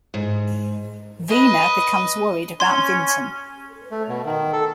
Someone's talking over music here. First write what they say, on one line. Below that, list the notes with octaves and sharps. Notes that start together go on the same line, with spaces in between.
Wiener becomes worried about Vinton.
G#2
B4 D#5
C#4 C6 G#6
A3
B2
D#3
A4